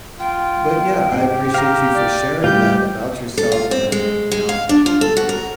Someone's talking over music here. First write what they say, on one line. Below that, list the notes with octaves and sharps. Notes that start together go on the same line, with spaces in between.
but yeah, I appreciate you for sharing that about yourself, and, you know,
F4 G5
G#2 C4 G4
F5 A#5
D5
A2 E3 G3 F4 G4 G6
A4
F4
C4
G#3
G#3
F5
D4
F4
A4
F#4
A#4